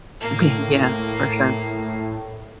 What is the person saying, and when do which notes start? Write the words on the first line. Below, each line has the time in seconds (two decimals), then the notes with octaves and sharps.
Okay, yeah, for sure.
0.20 A2 A#3